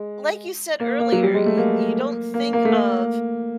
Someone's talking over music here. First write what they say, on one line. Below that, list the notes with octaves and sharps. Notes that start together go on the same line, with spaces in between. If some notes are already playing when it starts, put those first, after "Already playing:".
like you said earlier, y you don't think of
Already playing: G#3
A#3
A#3
F#3
G3
G#3
A3
A#3
A#3
A#3
A3
A#3